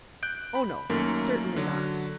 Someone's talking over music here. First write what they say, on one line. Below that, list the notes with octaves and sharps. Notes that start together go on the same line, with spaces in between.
"Oh, no, certainly not!"
F#6 G6 D7
B5
F#2 D#3 A3 A#3
D3 F#3